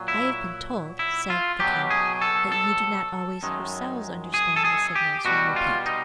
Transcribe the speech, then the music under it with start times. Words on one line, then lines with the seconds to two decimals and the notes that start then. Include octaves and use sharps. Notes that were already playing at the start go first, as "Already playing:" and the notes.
"I have been told," said the count, "that you do not always yourselves understand the signals you repeat."
Already playing: A#2 F#3
0.08 E4
0.99 E4
1.30 F4
1.60 B2 F#3 G4
1.91 G#4
2.22 A4
2.52 A4
3.43 F#2 D#3 G#3
4.34 G#4
4.56 A4
4.65 G#4
4.96 G4
5.25 B2 G3 F#4
5.56 F4
5.86 D#4